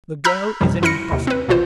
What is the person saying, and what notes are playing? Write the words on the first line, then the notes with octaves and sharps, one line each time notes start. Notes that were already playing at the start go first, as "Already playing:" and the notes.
The girl is an impostor.
A#5 B5 E6 F6 G6 B6
A#1 F#2 C3 F3 G3
F#2 E4 B5 F6 A#6 C#7
D#2 C3
C4 B4
A#1 B2 E3 F4 C5